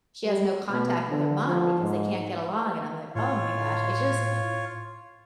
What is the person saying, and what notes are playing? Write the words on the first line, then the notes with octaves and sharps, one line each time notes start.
she has no contact with her mom because they can't get along, and I'm like, "Oh my gosh," I just
G3
B2
D3
F3
G#2
A2 F4 C#5